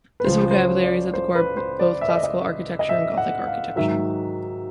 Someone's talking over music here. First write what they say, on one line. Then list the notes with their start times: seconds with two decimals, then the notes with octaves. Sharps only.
This vocabulary is at the core of both classical architecture and Gothic architecture.
0.20 B4
0.25 C#2 C#3 F3 C5
0.51 C5
0.54 C#5
0.83 D5
1.14 C5
1.35 B4
1.57 C5
1.79 D5
2.01 E5
2.09 D#5
2.15 D5
2.23 D#5
2.79 D#5
2.89 E5
3.17 F#5
3.47 F5
3.76 G#2 D#3 F#3 E5